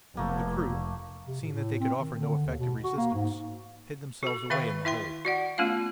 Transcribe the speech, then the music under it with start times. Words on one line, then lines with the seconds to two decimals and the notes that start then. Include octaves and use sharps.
The crew, seeing that they could offer no effective resistance, hid themselves away in the hold.
0.17 F1 A3 A#3
1.26 C3
1.41 A2
1.53 A2
1.80 C4
1.98 D#3
2.19 D3
2.46 D#2
2.58 B2
2.84 F#4
2.97 A#3
3.14 G#2
4.23 F#4 A4
4.50 D#3 B4 E5 F5 G5 C#6
4.85 E4 E5 G5 C6
5.25 F#4 D5 F#5
5.58 A3 B3 C#4 F4 F5